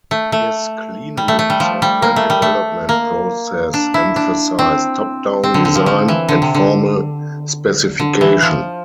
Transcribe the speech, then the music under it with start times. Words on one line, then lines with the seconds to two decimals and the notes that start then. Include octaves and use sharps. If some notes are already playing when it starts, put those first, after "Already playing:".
His Cleanroom software development process emphasized top-down design and formal specification.
0.11 A3
0.32 A3
1.17 G3
1.28 A3
1.39 A3
1.50 G3
1.60 F3
1.82 G3
2.02 A#3
2.16 A3
2.30 G3
2.42 A3
2.89 A#3
3.74 D4
3.94 E4
4.16 D4
4.59 C4
5.44 C4
5.54 D3
5.65 D3
5.75 F3
5.86 F3
6.08 E3
6.29 D3
6.42 C3
6.55 D3
8.00 D3
8.21 E3
8.42 F3